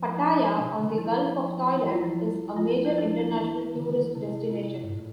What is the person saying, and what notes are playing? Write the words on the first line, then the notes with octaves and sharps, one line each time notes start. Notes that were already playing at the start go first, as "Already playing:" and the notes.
Pattaya, on the Gulf of Thailand, is a major international tourist destination.
Already playing: F3
E4
D4
B2
C3
D3
E3
F3 E4
E3 E4
F4
F3 E4
G3
F3 F4
E4
D4
E4
E3 E4
D3
E3
D3
C3 E4
F4
E4
G2
A2